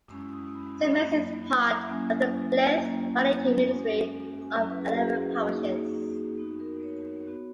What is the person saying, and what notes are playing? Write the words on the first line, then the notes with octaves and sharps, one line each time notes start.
Saint Mary's is part of the Blyth Valley Team Ministry of eleven parishes.
G#3 C#4 E4 E6
E6
D#6
D#6
B5
F#3 A#3 E4
B5
A#5
F#5
E5
F#3 A#3 C#4 E4 G#5
F#3 A#3 C#4 E4 A#5
G#3 C#4 F#4 G#5
G#5
F#5
F#3 C#4 E4 E5
B4
G#4
F#4
G#4
A#3 D#4 F#4
B3 D#4 F#4
A#4
C#5
B3 F#4